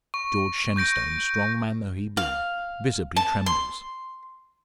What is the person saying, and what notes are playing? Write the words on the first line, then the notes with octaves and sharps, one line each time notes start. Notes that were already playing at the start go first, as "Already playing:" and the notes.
George Shenstone, strong man though he be, visibly trembles.
C#6
C#6 G6 A#6 D7
F5
A5
C6